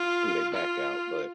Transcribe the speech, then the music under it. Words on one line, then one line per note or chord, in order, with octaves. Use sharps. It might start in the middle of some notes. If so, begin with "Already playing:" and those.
threw they back out, but,
Already playing: F4
F4